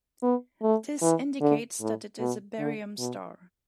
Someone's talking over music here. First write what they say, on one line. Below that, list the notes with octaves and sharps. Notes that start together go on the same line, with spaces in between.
This indicates that it is a Barium star.
B3
A3
E3
D3
A2
B2
D3
B2